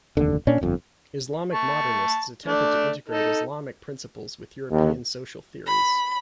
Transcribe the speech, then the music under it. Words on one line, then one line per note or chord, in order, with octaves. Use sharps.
Islamic Modernists attempted to integrate Islamic principles with European social theories.
F1 D#2 D3
A#2 C#4 D4
G1 F2
A5 C#6
A3 D4 D5
D#4 A4
D#2
B5